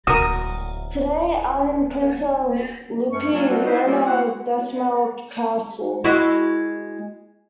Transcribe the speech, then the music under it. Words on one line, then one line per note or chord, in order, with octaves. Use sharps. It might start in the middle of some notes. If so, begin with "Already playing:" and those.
Today, Armin, Prince of Lippe is the owner of Detmold Castle.
D1 A#2 D3 F#4 A#4 D#6
F#2 A3 C#4 C#6
F#3 A#3 C#4 D4 F4
G3 B3 C4 D4 F4 F#4
D#4 E4 F#4 B4 C5 D#5
G3 A#3 C4 F4 G4
A#3 C4 E4 F#4 F#5
G#3 E4 F#4